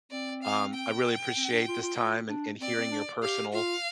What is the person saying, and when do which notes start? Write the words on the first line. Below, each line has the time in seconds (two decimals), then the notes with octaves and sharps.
um, I really appreciate this time and and hearing your personal
0.11 C4 D5
0.43 F5
0.74 G5
1.36 C4
1.51 D4
1.68 F4
1.83 F4
1.99 F4
2.29 D4
2.60 C4 D5
2.76 C4
2.91 D4
3.22 G4 F5
3.53 F4 F5